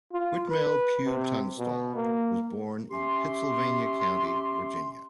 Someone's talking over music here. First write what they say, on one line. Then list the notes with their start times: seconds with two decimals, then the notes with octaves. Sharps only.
Whitmell Pugh Tunstall was born in Pittsylvania County, Virginia.
0.12 F4
0.50 B4
1.04 C3
1.59 B2
1.95 A#3
2.91 C#4 G4 E5 C6